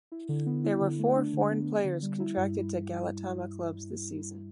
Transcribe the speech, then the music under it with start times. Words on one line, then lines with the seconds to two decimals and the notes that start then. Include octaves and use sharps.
There were four foreign players contracted to Galatama clubs this season.
0.12 E4
0.29 D3
0.46 B3
0.64 E4
0.81 D3
0.99 A3
1.16 D4
1.33 D3
1.51 B3
1.67 B3
1.85 D3
2.03 G3
2.20 E4
2.37 G2